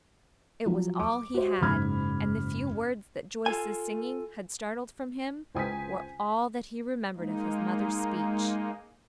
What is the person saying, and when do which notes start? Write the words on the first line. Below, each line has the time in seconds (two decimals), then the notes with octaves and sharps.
It was all he had, and the few words that Joyce's singing had startled from him were all that he remembered of his mother's speech.
0.66 F3 F#3
0.99 D6
1.34 F#4 G4 C5 E5
1.61 F#1 G#2 B5 F6 G#6
3.46 F4 A4 G#5
5.55 C#2 C5 G5 G#5 D#6 B6
7.17 G#3 A#3 D#4